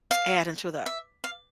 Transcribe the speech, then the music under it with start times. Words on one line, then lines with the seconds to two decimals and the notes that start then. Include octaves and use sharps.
adding to the
0.11 F5
0.86 E5
1.24 F5